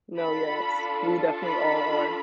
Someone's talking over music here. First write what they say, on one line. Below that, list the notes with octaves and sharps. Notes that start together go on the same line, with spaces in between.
No, yes. We definitely all are.
D4 F4 A4 B5
B5